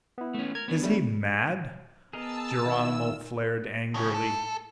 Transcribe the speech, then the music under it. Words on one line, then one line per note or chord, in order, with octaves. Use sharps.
"Is he mad?" Geronimo flared angrily.
B3 E4
A3 C#4
A#4 G#6
B3 D4
F#3 G3 A3
B3 G#4 A#4 D#5 A5 E6
D#3 E4 F4 E6
A2 C#3
A4